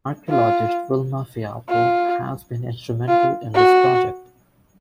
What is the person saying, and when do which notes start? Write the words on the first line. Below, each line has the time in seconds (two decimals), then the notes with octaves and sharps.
Archaeologist Vilma Fialko has been instrumental in this project.
0.30 F4
1.69 F4
3.09 F4
3.55 F#4